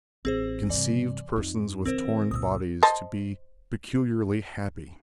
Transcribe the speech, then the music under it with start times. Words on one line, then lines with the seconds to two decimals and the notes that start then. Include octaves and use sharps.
He conceived persons with torn bodies to be peculiarly happy.
0.25 A1 C4 G#4 C5
0.69 G2 C3 E3 D5
1.36 F2 D#4
1.86 D3 E3 C4 A#4 C5
2.31 C#2 A#2 D#6 E6
2.83 C5 D#5 A5